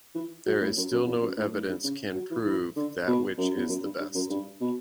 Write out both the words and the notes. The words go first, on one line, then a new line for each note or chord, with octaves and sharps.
There is still no evidence can prove that which way is the best.
E3
F#3
A2
F#2
F#2
E2
F#2
A2
A2
G2
C#3
F#3
E3
E3
D3
B2
F#2
E2
F#2
G2
G2
F#2
G2
B2